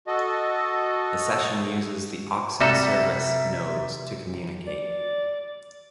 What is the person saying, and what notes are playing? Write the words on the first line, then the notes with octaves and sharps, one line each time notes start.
The Session uses the Oxen service nodes to communicate.
F#4 A4 D#5
C3 G3 F#4 A4 D5 E5 A#5
D5